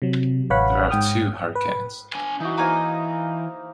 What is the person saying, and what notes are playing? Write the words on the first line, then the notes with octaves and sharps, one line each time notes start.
There are two Hurricanes.
C3 F#3
A1 B4 C#5 F5 F#5 B5
G#2 G5 D#6 F6
B4
D4 G#5
E3 D#4 F#4
A#3 D#4 C5 D#5 F5 G#5